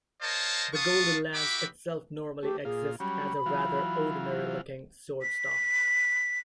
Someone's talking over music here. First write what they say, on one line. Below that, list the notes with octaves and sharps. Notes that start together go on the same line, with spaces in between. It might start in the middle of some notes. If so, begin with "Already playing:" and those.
The Golden Lance itself normally exists as a rather ordinary-looking short staff.
A#4 C5 C#5 D#5 F5 A5
B3 F4 F5 A5 C#6 D#6
D#4 F#4 G4 E5 B5 D6
A3 G4
A#2 F4 G#4
F#3 G3 C#4 B5
E3 F#3 F4
B6